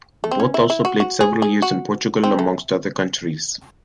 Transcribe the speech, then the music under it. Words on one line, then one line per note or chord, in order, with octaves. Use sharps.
Both also played several years in Portugal, amongst other countries.
A3
C4
C#4
E4
E4
F#4
F#4
G#4
G#4
F#4
C4
A3